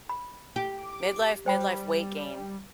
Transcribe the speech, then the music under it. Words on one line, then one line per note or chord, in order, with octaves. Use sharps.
Midlife, midlife weight gain.
B5
G4
D6
G3 C5 G5 B5